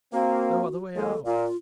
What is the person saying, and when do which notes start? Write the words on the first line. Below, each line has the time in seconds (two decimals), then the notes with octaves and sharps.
No other way out.
0.13 A#3 C4 F#4
0.96 D#2 G#3 A4
1.25 A#2 F4